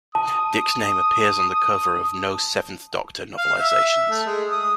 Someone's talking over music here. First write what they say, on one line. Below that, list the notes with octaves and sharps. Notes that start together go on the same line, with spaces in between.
Dicks' name appears on the cover of no Seventh Doctor novelisations.
A5 D#6
F5
E5
A3
G#3
D#6